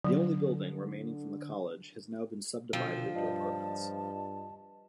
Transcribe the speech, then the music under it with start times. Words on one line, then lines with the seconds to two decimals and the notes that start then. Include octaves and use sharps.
The only building remaining from the college has now been subdivided into apartments.
0.04 D3 F#3
2.73 B2 D3 F3 G5 E6
3.15 G2 F4 D5 D#5 A5